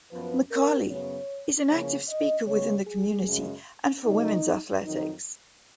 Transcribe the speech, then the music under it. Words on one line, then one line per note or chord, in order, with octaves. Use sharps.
McCallie is an active speaker within the community and for women's athletics.
F#2 F3 B3 B4
A#4
F#2 C#3 F#3 B3 C#5
C#3 F3 A#3 C#4 C#5
D#5
C#3 G#3 B3 C#5
G#4
F#2 C#3 G#3
C#3 F#3 A#3 D#4
F2 D#3 F#3 D#4